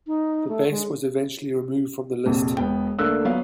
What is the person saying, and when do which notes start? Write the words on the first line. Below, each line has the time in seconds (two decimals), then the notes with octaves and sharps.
The base was eventually removed from the list.
0.07 D#4
0.48 A3
0.71 G#3
2.26 A#1 F2 C3
2.57 E1 B3 G5
2.99 D2 A3 A#3 D4 E6 F#6
3.25 F#3 B3 F5